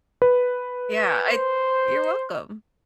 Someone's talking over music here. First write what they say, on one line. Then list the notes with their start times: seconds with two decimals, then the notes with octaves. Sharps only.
Yeah. I d you're welcome.
0.22 B4
1.29 C5